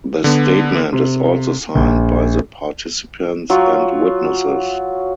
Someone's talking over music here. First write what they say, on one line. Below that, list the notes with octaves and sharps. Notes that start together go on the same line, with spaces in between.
The statement is also signed by the participants and witnesses.
D3 B3
C3
A#1
F#3 F4 C#5